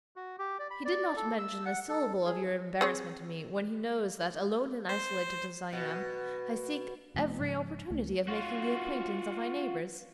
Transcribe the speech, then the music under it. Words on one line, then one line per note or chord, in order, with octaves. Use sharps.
He did not mention a syllable of your embarrassment to me, when he knows that, alone and isolated as I am, I seek every opportunity of making the acquaintance of my neighbors.
F#4
G4
D5
B5
D5
A4
E6
F#5
A4
G#4
C4 G#4 C#5
C5
B2
F1 C3 F3 A3
G#2 C#3 F3 G#3
C#2 A3
F4 F#4